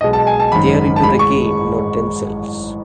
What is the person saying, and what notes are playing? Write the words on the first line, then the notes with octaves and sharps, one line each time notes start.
They're into the game, not themselves.
B1 B2 G#3 D#5
A5
G#5
A5
G#1 F#2 D#3 B5
A5
A1 G#2 E3 G#3 B5
C#6